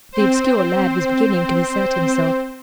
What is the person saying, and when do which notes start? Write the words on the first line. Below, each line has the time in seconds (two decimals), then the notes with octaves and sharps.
The obscure lad was beginning to assert himself.
0.12 C4 C5